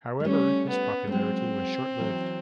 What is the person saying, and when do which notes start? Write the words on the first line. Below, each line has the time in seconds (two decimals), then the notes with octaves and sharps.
However, his popularity was short lived.
0.20 G#3
0.24 G3 A3 C#4
0.69 B3
1.07 A3
1.12 F#3 G#3 C4
1.99 E3 F#3